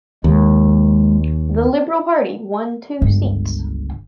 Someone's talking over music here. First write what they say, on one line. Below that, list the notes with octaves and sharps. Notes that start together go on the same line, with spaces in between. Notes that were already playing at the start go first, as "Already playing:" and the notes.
The Liberal Party won two seats.
D#2 G#3
G1 C#2